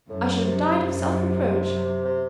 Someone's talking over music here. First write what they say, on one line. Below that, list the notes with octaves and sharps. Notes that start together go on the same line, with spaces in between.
I should have died of self-reproach.
F#2 A2
C3
C3